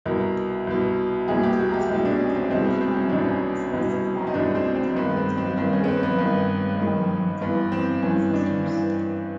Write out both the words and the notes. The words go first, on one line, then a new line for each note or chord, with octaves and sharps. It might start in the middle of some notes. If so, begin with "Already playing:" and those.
The most parsimonious evolutionary hypothesis is that holometabolans originated from hemimetabolan ancestors.
C2 B2 A#4
C2 B2
C2 B2 G#4
G4
F#4
G4
C2 B2 G4
D4
C#4
C4
C2 B2 C4
B3
C4
C#4
C2 B2 D4
C#4
C2 B2
D#4
C2 B2 D4
C4
C4
G2 D#3 B3
C4
C4
G2 D#3 C4
C#4
B3
C4
B3
G2 D#3
G2 D#3
G2 E3 B3
C4
G2 E3 C#4
D4
G2 E3